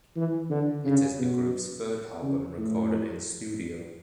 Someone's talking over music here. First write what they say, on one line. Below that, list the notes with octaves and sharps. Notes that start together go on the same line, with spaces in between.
It is the group’s third album recorded in studio.
E3
D3
C#3
B2
C#3
A2